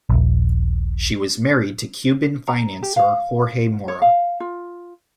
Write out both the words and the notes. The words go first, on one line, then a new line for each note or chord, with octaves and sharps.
She was married to Cuban financer Jorge Mora.
D#1 A#1
A#5
G4
F5
C#5
F5
F4